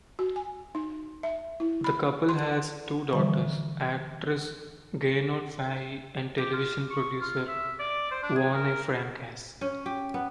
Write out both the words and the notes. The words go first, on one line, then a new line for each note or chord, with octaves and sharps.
The couple has two daughters: actress Gaynor Faye and television producer Yvonne Francas.
F#4
G#5
D#4
E5
E4
B5
C6
D3 E3 F3 G3 C5
G4
F4
C#6
F4
E5
D5
C5
D4
G#4
A#4
C#4
G4
B3